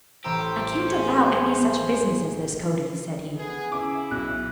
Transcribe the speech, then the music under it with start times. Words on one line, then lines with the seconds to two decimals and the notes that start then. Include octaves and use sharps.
"I can't allow any such business as this, Cody," said he.
0.24 A1 G4 C5 A#5 E6
0.87 C#4 G#4
3.35 B3 G#4
3.72 C#3 E4 G#5 D6
4.11 B1 F#6